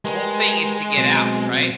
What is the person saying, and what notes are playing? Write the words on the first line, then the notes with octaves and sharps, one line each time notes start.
the whole thing is to get out, right?
G#3 G4 A#4 B4
B2 F#3 C4